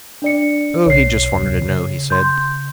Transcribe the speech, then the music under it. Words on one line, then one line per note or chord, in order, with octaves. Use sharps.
Oh, he just wanted to know, he said.
D4 D5 C#7
B1 C#5 C7
D2 C3 F#3
C#3
C6 G6